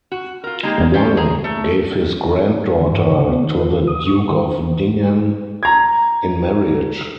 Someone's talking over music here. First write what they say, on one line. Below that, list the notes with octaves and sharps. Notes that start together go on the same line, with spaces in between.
Wang gave his granddaughter to the Duke of Ding'an in marriage.
F#4
F4 A#4
G#3 A#3 D#4 G4
C4 C#4 G4 C5 D5
G#4 A#5
A3
D3
G2
C#3
B3
D#3
B4
F4
D#6
C#6
D#3
A#5 G#6